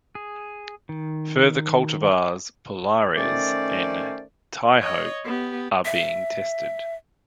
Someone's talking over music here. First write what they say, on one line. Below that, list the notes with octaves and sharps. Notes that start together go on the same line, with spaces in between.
Further cultivars 'Polares' and 'Tihope' are being tested.
G#4
D#3
D#3 A3 C#4 C5 D5
C#5 D#5
B3 G4
E5